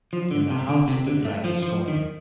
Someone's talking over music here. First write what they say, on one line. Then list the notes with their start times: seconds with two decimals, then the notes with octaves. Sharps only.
In the House of the Dragon Scorner.
0.13 F3
0.31 D3
0.50 C3
0.69 D3
0.88 C3
1.07 D3
1.25 A3
1.44 F3
1.62 F3
1.88 D#3